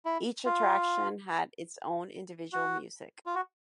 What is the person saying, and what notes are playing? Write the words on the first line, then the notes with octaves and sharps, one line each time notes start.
Each attraction had its own individual music.
E4
F4
F#4
F4
F#4